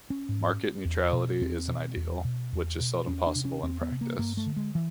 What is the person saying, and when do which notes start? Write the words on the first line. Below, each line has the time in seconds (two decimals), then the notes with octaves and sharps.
Market neutrality is an ideal, which is seldom possible in practice.
0.10 C#4
0.29 G#2
0.85 E2
1.12 B2
1.41 E2 C4
1.68 B2
1.96 E2
2.24 B2
2.53 E2
2.80 B2
3.07 E2 C#4
3.27 D4
3.36 C3
3.45 C#4
3.63 E2 C4
3.81 B3
3.91 C3
4.01 A#3
4.19 G2 A#3
4.37 A3
4.46 D3
4.56 G#3
4.75 E3